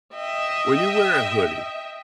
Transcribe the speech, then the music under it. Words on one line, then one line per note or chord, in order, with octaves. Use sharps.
when you wear a hoodie
D#5 E5 G5